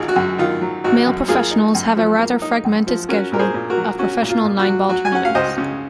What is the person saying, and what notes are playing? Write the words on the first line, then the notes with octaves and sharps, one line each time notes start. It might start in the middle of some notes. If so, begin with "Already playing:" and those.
Male professionals have a rather fragmented schedule of professional nine-ball tournaments.
Already playing: G#1 F#3 F4 G#4
F#4
F#2
D#3 F4
F#3
G#1 F#4
F#2
A#3 F4 G#4
D#4
F#2
F3
A#3
D#4
F#2
F3
C#4 F#4 A#4
A#2 A#4
G#4 C5
A#2
F#4 A#4
F#3
C#4 F#4
A#2
F4
A#2
F#4
F#3
F#3 F#4
G#5
C#4 F#5
F5
C#2 C5 D#5
C#3